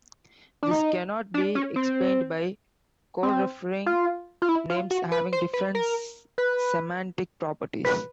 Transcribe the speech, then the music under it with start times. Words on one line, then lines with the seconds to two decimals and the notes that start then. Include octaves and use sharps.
This cannot be explained by coreferring names having different semantic properties.
0.63 D4
0.71 D#4
1.34 D4
1.55 C#4
1.76 C4
3.23 C4
3.86 F4
4.42 F4
4.49 E4
4.70 F4
4.91 F#4
5.12 B4
5.33 C5
5.53 B4
5.75 A#4
6.38 B4
7.85 B4